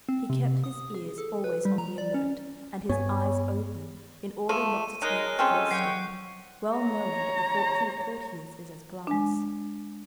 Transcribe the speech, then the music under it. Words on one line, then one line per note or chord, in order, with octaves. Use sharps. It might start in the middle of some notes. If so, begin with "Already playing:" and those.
He kept his ears always on the alert and his eyes open in order not to take a false step, well knowing that the fortune of courtiers is as glass.
C4
C3
D#6
G#4
A4
B4
G3
A#5
D5
C#4
G2 B3 C#5 G#5
F3 A3 D#7
G#3 D#4 A#4 C#5 F#6 D#7
G#3 C4 C#4 F4 G4 A4 D#5 G5
A#2 F#3 C#5 G5 C#6 C7
C#5 A#5
G#3 D4